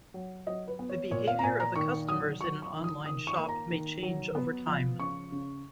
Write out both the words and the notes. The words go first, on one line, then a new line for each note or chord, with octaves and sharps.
The behavior of the customers in an online shop may change over time.
F#3
F#3 D#5
B4
B3
C#5
A#2 C#5
F5
A#5
A#2 G#5
A#5
D#3 C#6
F#3 D#6
F#3 C#6
C#6
D#3
D#6
D#3 D#6
C#6
A#3
A#5
D#3
F#3
B3
F3
C#3 C#6
C#3